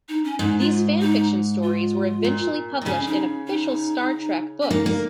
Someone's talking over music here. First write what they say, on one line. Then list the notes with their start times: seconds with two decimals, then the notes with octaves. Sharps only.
These fan fiction stories were eventually published in official "Star Trek" books.
0.09 D#4
0.24 C#4
0.39 G#2 D#4
0.60 F4
1.01 D#4
1.63 F4
2.24 A#2
2.82 D#3
2.85 C#3 C#4
3.06 D#4
3.47 D#4
4.62 C#4
4.70 A#3 D#4
4.86 A#3